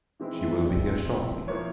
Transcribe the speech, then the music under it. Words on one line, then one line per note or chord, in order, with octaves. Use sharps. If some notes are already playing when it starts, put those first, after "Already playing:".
She will be here shortly.
E3 G#3 C4 E4
E5
A#2 G#3 C4
F3 C4 E4
F3 A#3 E4 C#5